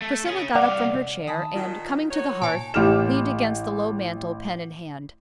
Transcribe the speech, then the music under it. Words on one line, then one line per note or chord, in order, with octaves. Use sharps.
Priscilla got up from her chair, and, coming to the hearth, leaned against the low mantel, pen in hand.
A3
C#4 G#4
C2 D5 F5 F#5
D#3 G#5 A5 B5 D#6
A#2 D#3 F4
D#4 F#4 C#5
A#2 G#5 A5
A1 G4 F6 E7